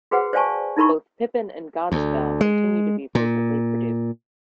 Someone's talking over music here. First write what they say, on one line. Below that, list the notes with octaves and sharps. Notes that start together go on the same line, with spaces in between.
Both "Pippin" and "Godspell" continue to be frequently produced.
F#4 G#4 B4 C5 F#5
C5 D5 F5 G#5 A5 C#6
D#4 E4 A#4 B5 C#6
D2
G#3
A#2